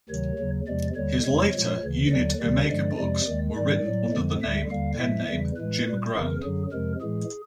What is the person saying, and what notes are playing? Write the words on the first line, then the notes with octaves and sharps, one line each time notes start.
His later "Unit Omega" books were written under the name pen name Jim Grand.
D2 C3 D#3 F#3 C#5
D#2 C#3 F#3
E2 C3 F3 G#3 D5
D#2 D3 G3 C#5
E2 C3 F3 G#3 C#5
A#2 F3 G#3
D2 C#3 E3
D#2 D3 F#3 D5
D2 C3 D#3 G3 D5
G2 D3 F3 G#3 D5
F2 C3 F3 G#3 D5
D#2 D#3 G#3
G#2 D#3 G3 D5
A2 F#3
F2 D3 F3 G#3
D2 D3 G3 E5
D#2 D3 G3 F5
A2 F3 G#3 E5
E2 C#3 E3 G3
A2 E3 G#3 B4
A#2 G3
F2 C#3 E3 A#4
F#2 D3 F#3 G#4
F2 C3 F3 G#3 A#4
A2 E3 G#3 G#4